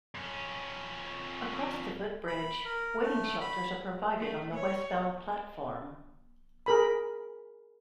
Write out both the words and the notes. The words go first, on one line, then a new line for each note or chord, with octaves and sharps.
Across the footbridge, waiting shelters are provided on the westbound platform.
F2 C#4
B5
A#4
A3
B5
A3
C#5
G#4 A#4 B5